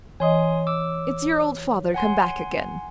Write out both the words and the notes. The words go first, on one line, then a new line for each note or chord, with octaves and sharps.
It's your old father come back again.
E3 C#5 D#5 G#5 C6 D#6
D6 E6
F#5 G#5 C6